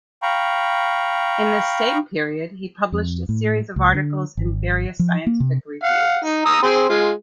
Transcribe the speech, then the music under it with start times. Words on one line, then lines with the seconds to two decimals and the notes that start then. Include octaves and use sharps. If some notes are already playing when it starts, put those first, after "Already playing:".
In this same period he published a series of articles in various scientific reviews.
0.22 F5 G5 A#5 B5 C#6
2.92 F2
3.29 A2
3.76 C#2
3.95 D3
4.37 G#1
4.99 F3
5.27 A#3
5.40 C3
5.83 F5 F#5
6.24 D#4
6.46 A#5 D#6 E6
6.63 C4 G#4 C5
6.89 G#3 F4